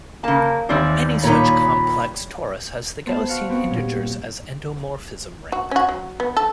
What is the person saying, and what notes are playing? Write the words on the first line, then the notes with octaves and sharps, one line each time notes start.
Any such complex torus has the Gaussian integers as endomorphism ring.
C#3 A#3 A5
D#2 E3 G3 C4 D5
A#2 G3 D#4 C#5 B5
B3 C5 A5
F#4 F5 F#5
B3 C4 F#4
A#2 G3 C#4
F#4
C#4 F#4
F#3
B3
A4